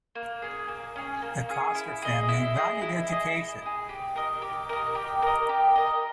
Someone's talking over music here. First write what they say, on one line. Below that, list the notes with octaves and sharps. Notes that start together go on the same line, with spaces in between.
The Coster family valued education.
A#3
C#4 G#4
A#3
C#4 G#4
A#3
C#4 G#4
E4
G#4 D#5
E4
G#4 D#5
E4
G#4 D#5
E4
G#4 D#5
G4
A#4 D#5
G4
A#4 D#5
G4
A#4 D#5
G4
A#4 D#5